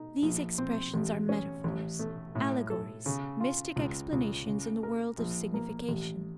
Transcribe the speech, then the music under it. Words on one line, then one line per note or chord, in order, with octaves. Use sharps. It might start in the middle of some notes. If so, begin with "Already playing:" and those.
These expressions are metaphors, allegories, mystic explanations in the world of signification.
Already playing: D#4
A#1
C4
A1
C#4
A1
A3
A2
A4
C#3
F4
C#2
C#2
C#3
A#4
A#1
A#3
A1